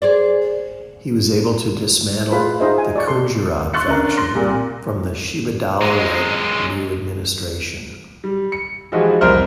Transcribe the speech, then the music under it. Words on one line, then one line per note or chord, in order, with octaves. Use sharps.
He was able to dismantle the Khunggirad faction from the Shidibala-led new administration.
G#4 C5 D5
F4 G#4 B4 B5
D#4 F4 G#4 C5 D#5 E5
G#5
D5 D#5 C#6
A4 C6
C6 C#6 E6 F#6 A6 C#7
D3 C#4 D4 A#4
C6 F#6 A#6
C2 A#2 G3
F#3 G#3
G3
C#7
E3 F3 G#3 F#4 G4 D#5
C2 F2 A#4 C5 F6